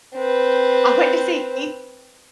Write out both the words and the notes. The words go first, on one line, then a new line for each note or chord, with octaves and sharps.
I went to see Keith
C4 B4